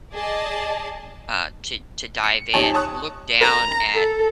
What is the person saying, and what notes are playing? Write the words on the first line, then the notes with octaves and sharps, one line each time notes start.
uh, to to dive in, look down at
G#4 D5 D#5 A5
C#7
F2 D#4 G4 C#5 G#5 A5
C#5 A5 C#6 D#6 F#6
A#5
A4